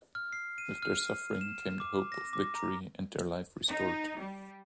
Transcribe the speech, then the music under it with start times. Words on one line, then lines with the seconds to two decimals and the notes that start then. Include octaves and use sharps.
With their suffering came the hope of victory and their life restored.
0.15 F6
0.33 C7
0.58 D#7
0.82 F6
1.41 E7
1.80 D6
2.12 A#6
2.33 D6
2.55 A#5
3.68 D#4
4.19 G3